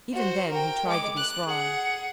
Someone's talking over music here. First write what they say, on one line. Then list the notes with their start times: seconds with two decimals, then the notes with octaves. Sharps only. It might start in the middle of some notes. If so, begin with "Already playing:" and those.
Even then he tried to be strong.
0.13 F#4 C5
0.49 A#4 G5
0.87 G#3 D6
1.17 F#6
1.46 G#4 F#5